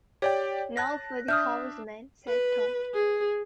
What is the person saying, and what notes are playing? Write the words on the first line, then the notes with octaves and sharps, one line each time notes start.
"Now for the house, men," said Tom.
G4 C#5 D5 G5
A5 F#6 A#6
D4 E5 D#6 F6 G6
B4
G#4